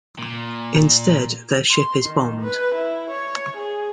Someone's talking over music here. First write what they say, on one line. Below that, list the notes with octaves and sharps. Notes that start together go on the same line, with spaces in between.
Instead, their ship is bombed.
A#2
C6
D#3
B4
E4
C#5
G#4